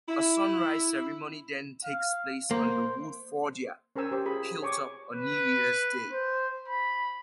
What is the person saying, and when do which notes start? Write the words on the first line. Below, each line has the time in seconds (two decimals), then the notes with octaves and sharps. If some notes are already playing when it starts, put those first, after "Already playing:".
A Sunrise Ceremony then takes place on the Woodfordia hilltop on New Year's Day.
0.09 E4
1.84 F5
2.51 A#3 C5
3.96 C#4 A#4 C5 G#5 E6
4.11 G4 C5
4.25 F4 G#4 B5
4.62 C#5 G#5 C#6 D6
5.13 B4
6.12 C5
6.68 B5